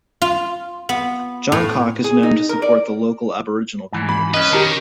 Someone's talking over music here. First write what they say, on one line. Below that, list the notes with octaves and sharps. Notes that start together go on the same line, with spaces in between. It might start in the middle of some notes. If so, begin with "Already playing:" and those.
Johncock is known to support the local Aboriginal communities.
F4
B3
A2
G#4
D#4
A#4
D5
G#2 E3
B5
C#4 B4 D#5
D#3 G4 A#4